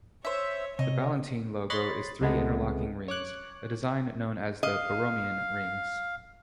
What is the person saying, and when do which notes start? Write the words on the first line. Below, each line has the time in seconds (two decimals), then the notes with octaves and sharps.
The Ballantine logo is three interlocking rings, a design known as the Borromean rings.
0.25 C5 C#5 E5
0.79 C3 C#5 D#5
1.70 C#5 D#5 B5 C6 F#6 A6
2.21 C#2 C3 G#3 A3 B3
3.08 C#5 D6 F#6
4.63 D#5 F5